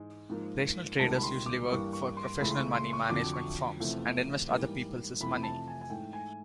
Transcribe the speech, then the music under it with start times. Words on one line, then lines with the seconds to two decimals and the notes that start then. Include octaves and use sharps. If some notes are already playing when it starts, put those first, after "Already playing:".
Rational traders usually work for professional money management firms, and invest other peoples' money.
Already playing: G#2 E3 G#3
0.30 G#2 F3 A#3
0.99 C#2 C3 D#3 G3 A#3 A5
1.16 B5
1.23 C6
1.46 D6
1.69 G2 E3 G3 A#3 C#6
1.93 C#6
2.17 C6
2.40 C#2 C#3 E3 A3 B5
2.51 C6
2.57 C#6
2.75 C6
2.93 C#6
3.10 F2 D3 F#3 D6
3.34 C#6
3.80 E2 C3 F3 A3
4.50 G#2 E3 G3 A#3
5.21 F2 C3 E3 A3 B5
5.43 A5
5.68 G#5
5.81 G#5
5.90 G#2 E3 A3 G5
6.13 G#5